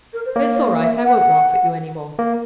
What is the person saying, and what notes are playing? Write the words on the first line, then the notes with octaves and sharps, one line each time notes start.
It's all right; I won't laugh at you any more.
A#4
C5
A#3 C#5
C#5
D5
E5
F#5
A#3